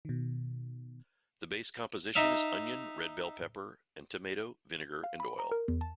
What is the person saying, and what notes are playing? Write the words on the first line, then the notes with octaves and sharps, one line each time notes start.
The base composition is onion, red bell pepper and tomato, vinegar and oil.
B2 D#3
D#4 E5 F5
F5
B5
A#5
A#4
E2
A5